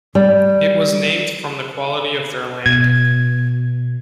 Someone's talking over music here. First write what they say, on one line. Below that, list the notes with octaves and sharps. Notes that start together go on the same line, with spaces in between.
It was named from the quality of their land.
G3
B2 G#6